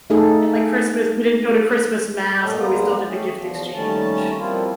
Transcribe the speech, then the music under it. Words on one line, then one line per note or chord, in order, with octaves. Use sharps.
And like Christmas, we didn't go to Christmas mass, but we still did the gift exchange.
A3 D#4 G#4 A4
G2 A#2 A3 C#4 A4 D#5
E2 G#2 G#3 A#3 B3 A#5
A3 C#4 G4 G#4
E2 B2 F3
D#2 D#3 G3 A3 C#4 A5
F3 G3 A#3 C4 E4 F4